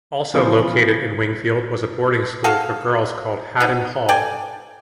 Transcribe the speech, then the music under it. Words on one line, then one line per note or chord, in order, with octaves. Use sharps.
Also located in Wingfield was a boarding school for girls called Haddon Hall.
C#3 E3 F3 B3 C5
F#4 G#4 A4 F5
B3 D#4
A4 D5 G5 G#5